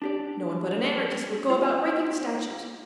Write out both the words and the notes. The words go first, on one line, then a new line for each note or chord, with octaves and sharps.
No one but an anarchist would go about breaking statues.
D4 G4 D5
F4